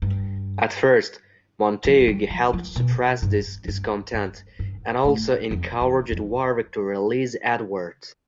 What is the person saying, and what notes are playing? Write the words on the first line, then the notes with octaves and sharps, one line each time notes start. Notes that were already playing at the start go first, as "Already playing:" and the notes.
At first, Montagu helped suppress this discontent, and also encouraged Warwick to release Edward.
G2
F3
F3
G3
F3
F3
B2
G2
G2
G2
G2
A2
F2
E2
F2